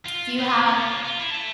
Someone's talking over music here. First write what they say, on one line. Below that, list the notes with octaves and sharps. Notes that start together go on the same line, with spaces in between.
Do you have
F4
F4 B4
C#4 F4
F4
E4
E5 A5